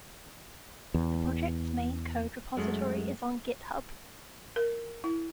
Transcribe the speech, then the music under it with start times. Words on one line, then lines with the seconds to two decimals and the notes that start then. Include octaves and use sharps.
The project's main code repository is on GitHub.
0.94 E2
2.57 F#2 G#3 A3
4.56 A#4
5.04 E4